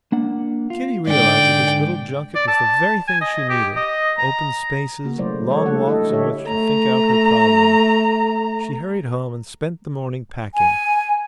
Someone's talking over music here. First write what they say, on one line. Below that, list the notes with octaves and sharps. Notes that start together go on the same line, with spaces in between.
Kitty realized that this little junket was the very thing she needed--open spaces, long walks in which to think out her problem. She hurried home and spent the morning packing.
A#3 D4 F#5
F4
G#2 D3 D5 G5
D5
A5
G#5
D#5
G4
D#5
A#5
C#3 A#3 F#4
B2 F#3 A3 E4 C5 D5
F3 G3 A4 C#5 D5
A3 A#3 D4 A4 F#5
E4 A4 D#5
D3 G4 A4 C#5 E5
A3 A#5
G#5